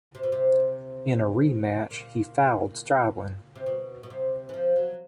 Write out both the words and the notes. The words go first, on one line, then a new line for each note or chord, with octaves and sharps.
In a rematch, he fouled Stribling.
C3
B2
C3
A#2
C3
B2
B2
C3
E3
F3
F#3